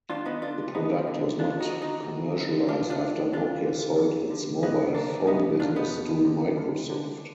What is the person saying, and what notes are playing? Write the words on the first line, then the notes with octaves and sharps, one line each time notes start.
The product was not commercialized after Nokia sold its mobile phone business to Microsoft.
D#2 D4 F4
B3 D#4
D3 D4 F4
D#2 B3 D#4
D3
D2 D4 F4
D#4 F#4
D3
D#4 F#4
D2
D3
D2 D4 F4
D4 F4
D3
D2 D4 F4
D3
F2
D3
F2 B3 D#4
D3 A#3 D4
F2 B3 D#4
D3 D4 F4
B3 D#4
F2
D3
D2
D3